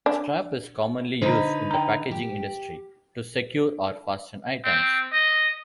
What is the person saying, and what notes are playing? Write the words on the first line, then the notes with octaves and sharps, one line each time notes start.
Strap is commonly used in the packaging industry to secure or fasten items.
D4
D3 D#4 B4 C5 A#5
G5 A#5
G4
C4
D#5